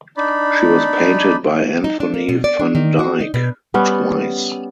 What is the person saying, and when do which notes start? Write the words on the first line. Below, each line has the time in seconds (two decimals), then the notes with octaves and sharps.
She was painted by Anthony van Dyck twice.
0.17 D4 D#4 D5 B5
1.84 D#4
2.00 D4
2.14 A#3
2.29 B2
2.44 D5
2.60 D4
2.75 D#3
2.99 F#4
3.20 D#4
3.34 B2
3.74 G3 B3 C#4